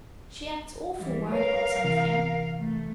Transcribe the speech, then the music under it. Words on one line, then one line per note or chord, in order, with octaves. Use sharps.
She acts awfully worried about something.
E3 G3
A#4 B4 C#5 F5
C3 E3
A3